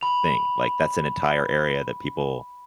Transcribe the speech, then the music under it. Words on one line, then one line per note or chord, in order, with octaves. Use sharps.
thing, like, that's an entire area that people
B5 F7